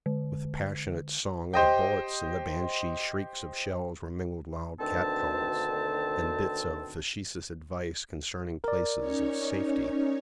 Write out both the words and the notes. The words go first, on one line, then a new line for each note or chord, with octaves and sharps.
With the passionate song of the bullets and the banshee shrieks of shells were mingled loud catcalls and bits of facetious advice concerning places of safety.
D3
G4 C5 D#5 G5
D2 B2 D3 D#3 C4 A5
A#4 D5
C#4 D#4 C#5